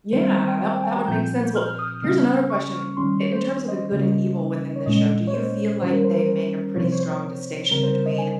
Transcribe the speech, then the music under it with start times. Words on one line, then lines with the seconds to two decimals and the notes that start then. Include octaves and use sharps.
Yeah, that wou that would make sense. Well, here's another question, i in terms of the good and evil within this show, do you feel like they make a pretty strong distinction between
0.13 D#3 G3 C4 C5
0.36 C5
0.48 G5
0.60 G5
0.72 G5
0.84 G#5
0.96 A#5
1.08 A#2 F3 C4 G6
1.55 F6
1.67 F6
1.79 D#6
1.91 D#6
2.02 C#3 G3 A#3 C#4 F6
2.50 C#6
2.97 D#3 G3 C#4 C6
3.21 C#5
3.32 C5
3.45 C#5
3.68 D#5
3.92 C#3 G3 A#3 C#4
4.76 C#5
4.86 A#2 G#3 C#4 D#5
5.27 C#5
5.34 C5
5.81 D#3 G3 C#4 C5
5.93 A#4
6.04 C5
6.16 A#4
6.28 C5
6.76 C3 F3 C4 C#5
6.84 C5
6.92 C#5
7.00 C5
7.71 C#3 G3 C4 A#4
7.83 C5
7.95 C5
8.06 D#5
8.18 G#5